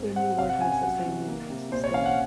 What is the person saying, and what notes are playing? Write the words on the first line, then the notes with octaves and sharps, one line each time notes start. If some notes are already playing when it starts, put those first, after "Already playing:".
The new word has the same meaning as the stem.
Already playing: G#2 C4
C4 F#5
C3 F5
F#5
C#4 G#5
G#5
F#3 F#5
C3
A#3
C3
A#2 C5
C#5
C#4 F5
F#5